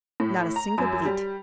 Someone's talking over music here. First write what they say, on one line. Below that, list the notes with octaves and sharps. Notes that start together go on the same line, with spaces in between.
Not a single bleat.
A2
A#5
F#2
G3